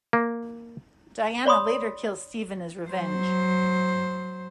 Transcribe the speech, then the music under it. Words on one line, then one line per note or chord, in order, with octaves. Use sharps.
Diana later kills Stephen as revenge.
A#3
C#5 D5 B5 C6 D#6
F#3 C5